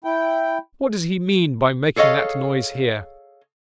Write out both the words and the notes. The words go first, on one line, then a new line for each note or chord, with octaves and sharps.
'What does he mean by making that noise here?'
E4 G5
G#4 A4 C#5 D#5 F5